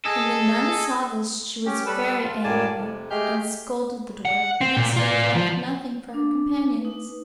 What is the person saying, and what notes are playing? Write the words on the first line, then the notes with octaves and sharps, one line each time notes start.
When the nun saw this she was very angry, and scolded the dwarf because he had left nothing for her companions.
G#4 A4 D#5 G#5
C#4 G4
G3 A4 B4 E6
F4
F#2 A2 A#3 D5 G#5 A5
F2 C3
G#3 A3 G4 G#4 F6 G6
F#5
C4
A#2
F4 D5
F3
D4 D6
D#4 B4